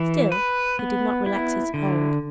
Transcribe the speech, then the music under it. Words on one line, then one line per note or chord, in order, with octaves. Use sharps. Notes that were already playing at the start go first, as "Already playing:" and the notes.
Still he did not relax his hold.
Already playing: E3
B4
B3
E4
D3